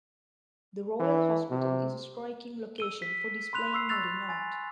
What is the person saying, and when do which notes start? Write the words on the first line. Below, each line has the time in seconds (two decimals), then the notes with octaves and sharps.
The Royal Hospital is a striking location for displaying modern art.
1.00 E3
1.51 C3
2.78 E6 D#7 G7
3.02 B6
3.53 B5 C6 F#6 F7
3.73 C#6 E6 C7
3.89 C#6 E6 F#6 A6 F7
4.29 G#5 A6